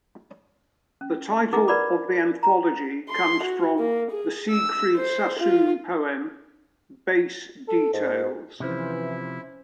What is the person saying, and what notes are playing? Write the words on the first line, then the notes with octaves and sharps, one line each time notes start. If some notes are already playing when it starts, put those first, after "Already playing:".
The title of the anthology comes from the Siegfried Sassoon poem Base Details.
C#4
D#4 E4 G#4 A#4 F#5 D6
A#4 B4 D5 F#5 B5 D6
A#5
C6
F#4
A#3
G#4
E6
C5
F4
A4
G#2
C3 E3 F3 C#4 E4 C5